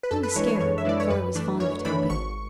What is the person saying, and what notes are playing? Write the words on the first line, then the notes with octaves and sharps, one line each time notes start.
I was scared, for I was fond of Toby.
B4
F#2 A4
B4
E3 G#3 D4 C#5
C#5
F#2 C#5
E5
E3 G#3 D4 D5
C#5
F#2 B4
E3 A3 D4
F#2 C#5
E3 A3 D4 B5
G#1 C#6